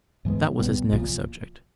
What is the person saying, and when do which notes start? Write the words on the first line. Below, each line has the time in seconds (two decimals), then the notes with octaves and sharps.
That was his next subject.
0.25 G#2 E3 G#3 B3
0.59 C#2 B2 G3 B3
0.93 C2 A#2 F3